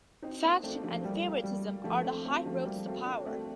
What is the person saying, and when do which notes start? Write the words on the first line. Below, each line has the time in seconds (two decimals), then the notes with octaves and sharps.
Faction and favouritism are the high roads to power.
0.22 C4 D#4
0.43 A#3 D4
0.63 A3 C4
0.84 F3 A3
1.04 G3 A#3
1.44 G3
1.84 F3 A3
2.04 A3 C4
2.25 A3 C4
2.46 F3 A3
2.65 G3 A#3
2.86 A3 C4
3.05 A#3 D4
3.26 A3 C4